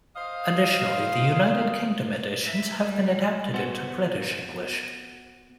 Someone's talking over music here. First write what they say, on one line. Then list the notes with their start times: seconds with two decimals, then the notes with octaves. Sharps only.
Additionally, the United Kingdom editions have been adapted into British English.
0.16 C5 D#5 F5
2.43 E5
2.83 G3
3.54 B3 F#4 C5